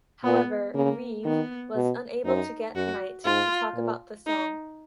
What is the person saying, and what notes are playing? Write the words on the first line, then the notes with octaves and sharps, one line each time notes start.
However Reeve was unable to get Knight to talk about the song.
A#2 B3
C#3 A#3
D#3 B3
B2
F#2 D#4
F#2 F#4
G#2 F4
A#2
D#4